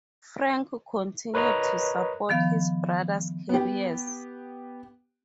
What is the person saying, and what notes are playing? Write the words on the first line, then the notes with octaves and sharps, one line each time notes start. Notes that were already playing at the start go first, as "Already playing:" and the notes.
Frank continued to support his brothers' careers.
A#4 B4 C#5 D#5 A#5
D#3 F3 B3 F5
B3 G4